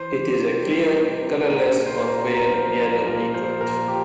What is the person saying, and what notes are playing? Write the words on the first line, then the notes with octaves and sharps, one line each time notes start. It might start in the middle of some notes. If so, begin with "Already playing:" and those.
It is a clear, colourless or pale yellow liquid.
Already playing: E3 C5
E3
C3
G3
C3
C3
A#2 A#4
A#4
A#2
C5
A#2
A#4
A#2 A#4
F3 C5
F3 A#4
A#2 A#4
F3 C5
A#2 A#4
F3 G4